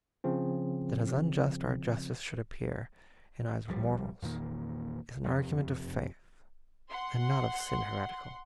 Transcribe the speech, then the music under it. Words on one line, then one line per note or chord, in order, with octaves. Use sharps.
That as unjust our justice should appear In eyes of mortals, is an argument Of faith, and not of sin heretical.
C#3 F3 C4
D1 A#1 F3 G3
E2 A#2 D#3 A#3
F#1 F2 C3
F#5 C6